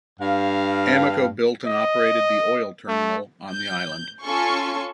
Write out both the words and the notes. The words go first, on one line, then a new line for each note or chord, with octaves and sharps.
Amoco built and operated the oil terminal on the island.
G2 F5
D#5
A3
G6
C#4 F4 A4 G#5 C6 C#6